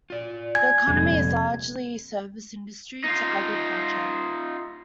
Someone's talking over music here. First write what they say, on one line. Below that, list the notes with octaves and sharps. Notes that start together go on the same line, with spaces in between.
The economy is largely service industry to agriculture.
F4 D5
G#5 G#6
F1 A#2 G3 G#3
D#4 F4